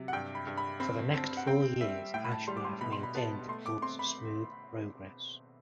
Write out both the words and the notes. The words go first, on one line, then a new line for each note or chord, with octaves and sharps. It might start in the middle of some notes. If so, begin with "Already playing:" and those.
For the next four years Ashworth maintained the club's smooth progress.
Already playing: C3 F#3
F#5
G2 G5
B5
G2
B5
C4 B5
C4 A5
F#5
C4 G5
G3 E5
A2 G5
B5
A5
G3 C6
D6
C6
B2 B5
C6
B5
B3 A5
A3 C6
D6
C4 C6
B5